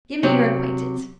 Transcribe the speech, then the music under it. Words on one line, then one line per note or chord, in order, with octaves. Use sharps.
Give me your acquaintance.'
C3 F#3